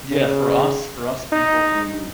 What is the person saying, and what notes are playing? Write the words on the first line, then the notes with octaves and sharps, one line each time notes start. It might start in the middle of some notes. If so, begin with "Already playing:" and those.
Yeah, for us for us people who
C#3
D#4